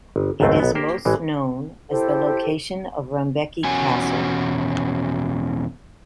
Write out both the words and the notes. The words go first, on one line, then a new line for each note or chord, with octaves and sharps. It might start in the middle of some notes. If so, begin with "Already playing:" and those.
It is most known as the location of Rumbeke Castle.
G1
G#1 C#2 F#2 F#3 A3 C4
B1 B3
A#3 G4 A#4 C5
A1 E3 G#3
E4 G4 A4 C5
E2 B2 C#4 F#4 G#5